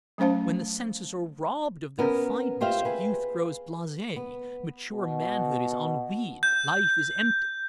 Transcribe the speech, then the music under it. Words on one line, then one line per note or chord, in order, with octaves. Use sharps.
When the senses are robbed of their fineness, youth grows blase, mature manhood is ennuied, life is empty.
F#3 A3 C#4 C5 F5 A5
B3 C#4 A#4
F4 G4 C5 E5 F5
G#4 B4
B3
B2
G6